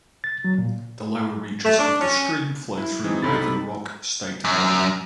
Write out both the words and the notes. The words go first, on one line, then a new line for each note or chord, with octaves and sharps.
The lower reaches of this stream flow through Raven Rock State Park.
A6
F#3
A#2
A3
D4
C#4
E4
E3 G#3 C4 D#4
B1 G2 A4 B5 A6
C3
F#2